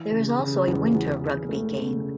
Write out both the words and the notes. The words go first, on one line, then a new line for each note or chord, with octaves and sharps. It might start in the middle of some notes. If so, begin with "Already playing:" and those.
There is also a winter rugby game.
Already playing: E3
C#3
C#3
E2
E2
E2
A3
C#3